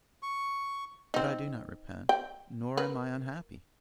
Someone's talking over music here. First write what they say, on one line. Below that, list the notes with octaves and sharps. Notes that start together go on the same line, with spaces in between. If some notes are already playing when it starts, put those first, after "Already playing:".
But I do not repent, nor am I unhappy.
C#6
C4 D#4
G5
A#4 B4